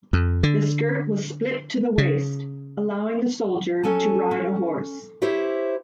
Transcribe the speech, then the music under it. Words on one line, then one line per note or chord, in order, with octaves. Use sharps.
The skirt was split to the waist, allowing the soldier to ride a horse.
F2
D3
C#3
F#3 C#4 A4 G#5 A5
C#4
E4 G4 C5 C#5 E5